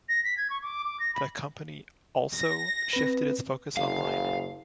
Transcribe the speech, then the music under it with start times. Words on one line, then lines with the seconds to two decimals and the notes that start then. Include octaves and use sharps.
The company also shifted its focus online.
0.09 A#6
0.24 B6
0.37 G#6
0.50 C#6
0.62 D6
0.85 D6
1.00 A#6
1.15 B5
2.34 A#6
2.93 C4 B4
3.77 F#1 F5